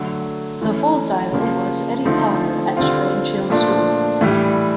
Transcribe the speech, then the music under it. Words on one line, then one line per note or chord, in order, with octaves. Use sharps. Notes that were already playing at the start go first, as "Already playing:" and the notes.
The full title was "Eddie Potter at Strange Hill School".
Already playing: D3 F#3 A3
E3 A3 C#4
C#3 F3 A#3
D3 F3 A3 C4 D#4
D3 G3 C4 F4
A#2 F3 A3 D4
A2 E3 G3